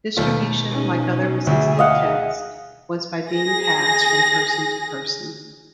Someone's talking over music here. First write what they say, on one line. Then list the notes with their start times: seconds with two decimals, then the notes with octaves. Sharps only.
Distribution, like other Resistance texts, was by being passed from person to person.
0.17 D#2 B2 A3 F4
0.71 C#4 D#4
1.47 D2 G#4 E5
1.79 D#5 F5 F#5
3.30 G#4 A#6